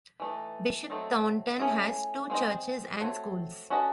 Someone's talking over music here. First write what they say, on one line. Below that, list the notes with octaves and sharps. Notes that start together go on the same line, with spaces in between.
Bishop Thornton has two churches and schools.
E3 A3 D#4
F#3 A3 C4 D#4 A4
A3 C#4 E4 G#4
G#3 C4 F#4 C5 D#5
A3 C4 F#4 C#5
C#4 F#4 A4 D#5